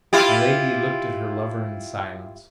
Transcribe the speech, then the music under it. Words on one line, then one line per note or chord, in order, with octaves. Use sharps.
Milady looked at her lover in silence.
E4 F4 G4